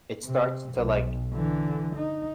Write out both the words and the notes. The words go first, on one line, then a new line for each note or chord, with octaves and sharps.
it's starts to, like,
C3
B1
D3 E3
D#4